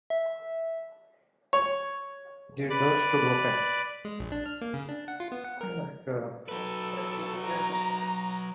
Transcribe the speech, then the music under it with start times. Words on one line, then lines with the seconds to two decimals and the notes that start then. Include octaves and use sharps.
The door stood open.
0.10 E5
1.53 C#5
2.70 B4 D5
4.05 G#3
4.20 A#1
4.32 D4
4.46 F6
4.61 A#3
4.73 C#3
4.89 D4
5.08 F#5
5.20 F4
5.32 B3
5.44 F#5
5.61 A#4
6.49 F#3 A4 B4
7.47 A#5